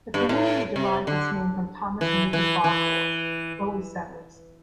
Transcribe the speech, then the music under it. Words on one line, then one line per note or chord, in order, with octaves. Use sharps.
The community derives its name from Thomas and Richard Barbour, early settlers.
G2
A2
C3
D3
E3
E3
E3